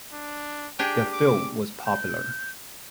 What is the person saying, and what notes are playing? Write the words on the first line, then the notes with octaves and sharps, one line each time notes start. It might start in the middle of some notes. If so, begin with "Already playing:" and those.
The film was popular.
D4
D4 G4 G#4 G5
D6
G6